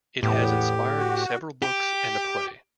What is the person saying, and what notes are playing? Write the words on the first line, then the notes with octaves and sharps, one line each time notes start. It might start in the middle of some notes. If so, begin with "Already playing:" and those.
It has inspired several books and a play.
E2 A2 B3 G4
F#4
G4